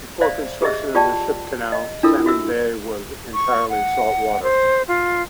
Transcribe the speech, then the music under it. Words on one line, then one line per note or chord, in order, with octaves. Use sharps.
Before construction of the Ship Canal, Salmon Bay was entirely salt water.
C5 D5 E5 F5
G4 G#4 D#5 E5
F4 G4 D5 G5 A5
D#5
D4 E4 F4 A4 A#4
F#4 E5 E6
C#6
F#5
C5
F4